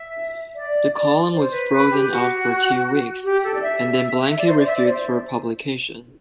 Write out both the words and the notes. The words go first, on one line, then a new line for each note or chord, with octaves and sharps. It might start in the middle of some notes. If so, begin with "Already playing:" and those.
The column was frozen out for two weeks and then blanket-refused for publication.
Already playing: E5
D5
C5
B4
B4
G4
F#4
G4
A4
D5
E5
E5
D5
C5
D5
E5
D5
C5